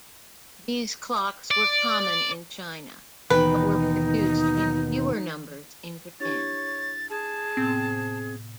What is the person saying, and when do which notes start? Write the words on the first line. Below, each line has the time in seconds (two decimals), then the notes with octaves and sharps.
These clocks were common in China, but were produced in fewer numbers in Japan.
1.51 D5
3.30 D#2 B2 E3 D#4 B4 G5
6.20 D4 E4 G4 C#5 A6
7.10 G#4 A5
7.57 A2 C3 B3 C4
7.88 A2